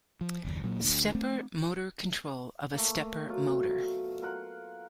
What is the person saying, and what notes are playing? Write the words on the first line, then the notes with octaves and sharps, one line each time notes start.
Stepper Motor Control of a stepper motor.
F3
F#1 D#2
A#2 F#3 A#3
D2
A3 C4
A3 A#3
B2 F#3 F4
F4 A#4 F#5 C6